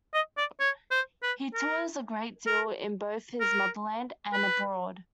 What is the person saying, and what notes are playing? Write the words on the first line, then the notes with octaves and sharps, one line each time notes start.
He tours a great deal in both his motherland and abroad.
D#5
D5
C#5
C5
B4
A#4
A#4
A#4
B4